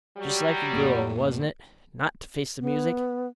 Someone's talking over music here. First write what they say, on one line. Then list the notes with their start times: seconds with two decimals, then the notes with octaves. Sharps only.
Just like a girl, wasn't it--not to face the music?
0.18 F#3 G3
0.73 F2 A2 A#3
2.60 B3